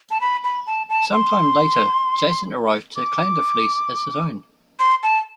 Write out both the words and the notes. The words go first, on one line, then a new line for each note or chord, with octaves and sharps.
Some time later, Jason arrived to claim the fleece as his own.
A5
B5
B5
A5
A5
C6
D6
C6
A5